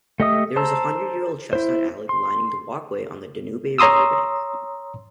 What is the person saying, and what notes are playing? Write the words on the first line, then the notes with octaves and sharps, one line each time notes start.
There is a hundred-year-old chestnut alley lining the walkway on the Danube River bank.
A3 G4 D#5 E5 D#6
C5 A5 A#5 E6
E4 C5
C6
C#5 A#5 C6 D#6 E6